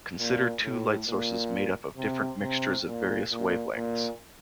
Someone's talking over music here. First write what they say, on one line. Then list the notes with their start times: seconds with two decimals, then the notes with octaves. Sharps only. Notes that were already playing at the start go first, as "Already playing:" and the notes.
Consider two light sources made up of different mixtures of various wavelengths.
0.19 A#2
0.64 A2
1.08 A#2
1.97 C3
2.42 C3
2.86 A#2
3.31 A#2
3.75 A#2